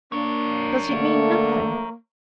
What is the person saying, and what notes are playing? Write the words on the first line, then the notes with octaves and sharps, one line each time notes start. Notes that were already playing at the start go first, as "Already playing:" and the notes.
"Does it mean nothing."
A#3 D4 A#4 C#5
D3 A3 A#3